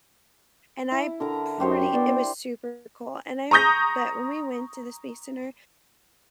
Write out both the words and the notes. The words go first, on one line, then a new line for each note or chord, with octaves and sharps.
and I pretty it was super cool, and I but when we went to the space center,
E4
D3 A#4 A#5
F#2 G4 C5 C#5
B3 D5
A#5 C#6 D#6 G6 A#6